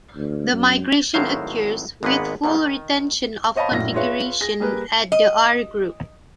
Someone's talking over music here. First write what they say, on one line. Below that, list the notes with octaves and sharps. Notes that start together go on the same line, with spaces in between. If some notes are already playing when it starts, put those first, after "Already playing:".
The migration occurs with full retention of configuration at the R-group.
D2
F#2
G#1 A2 F#3 C5 F5
G#1 G#3 A#3 B3 B4 F#5
E2 G#2 B2 D3 F3
D#3
C5 C#5 D#5 F5 A5 B5
A#1 F#2 A2 E4 A#6
F4 G#4 B4 C#5 E5 F5
G#4 A#6
G3 A#3 G#4 A#4 B4
D#5